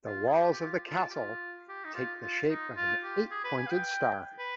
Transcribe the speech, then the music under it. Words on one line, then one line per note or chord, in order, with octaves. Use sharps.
The walls of the castle take the shape of an eight-pointed star.
F4
G#4
G4
G4
F4
F4
G4
F4
G4
D#4
F4
F4
D#4
F4
G4
G#4
B4
G#5
F5
G5
B4